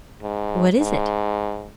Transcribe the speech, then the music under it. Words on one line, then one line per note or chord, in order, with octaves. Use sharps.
"What is it?"
G#2
G#2